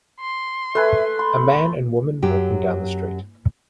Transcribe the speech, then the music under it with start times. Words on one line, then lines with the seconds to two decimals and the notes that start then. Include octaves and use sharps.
A man and woman walking down the street.
0.20 C6
0.75 A3 A4 B4 E5 G#5
1.19 B5 C6
2.22 F#2 F#3 G4